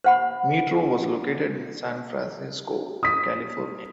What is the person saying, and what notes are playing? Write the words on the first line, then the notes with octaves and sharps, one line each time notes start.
Meetro was located in San Francisco, California.
C5 F#5 B5
D#6 B6